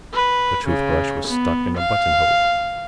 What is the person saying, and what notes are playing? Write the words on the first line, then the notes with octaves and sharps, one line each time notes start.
A toothbrush was stuck in a buttonhole.
B4
C#3
B3
F5